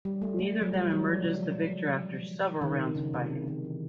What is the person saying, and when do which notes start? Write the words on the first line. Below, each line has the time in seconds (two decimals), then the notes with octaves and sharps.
Neither of them emerges the victor after several rounds of fighting.
0.05 G3
0.22 A3
0.39 A3
0.62 F#3
0.73 G3
0.91 F#3
1.08 F3
1.24 C#3
2.62 D#3
2.96 C#3
3.13 C3
3.30 C#3
3.48 D#3
3.64 E3